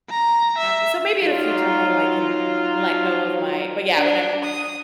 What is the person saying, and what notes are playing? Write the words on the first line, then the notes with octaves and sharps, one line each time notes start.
happy. So maybe at a future home I can let go of my but, yeah, when I'm
A#5
E5
F#3 D#4 F4
D4
D#6